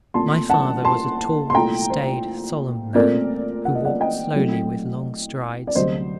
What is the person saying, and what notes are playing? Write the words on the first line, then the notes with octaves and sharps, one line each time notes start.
My father was a tall, staid, solemn man, who walked slowly with long strides.
A#2 A3 C4 A5 C6
F#5 A5
A5 C6
C6
C2 A#2 A3 G5 A#5
C5
A#2 A3 C4 A#4 D5
F#5
D#5
D5 F#5
D#5 G5
A2 F#3 A3 C4
D5
D2 C3 F#3 C5 D#5